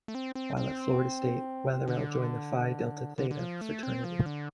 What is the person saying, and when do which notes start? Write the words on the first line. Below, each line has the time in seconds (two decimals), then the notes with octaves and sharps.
While at Florida State, Wetherell joined the Phi Delta Theta Fraternity.
0.08 A3
0.15 C4
0.35 C4
0.57 C4
1.88 D3
3.18 D3
3.31 D3
3.39 F3
3.61 A3
3.83 C4
4.04 F3
4.26 D3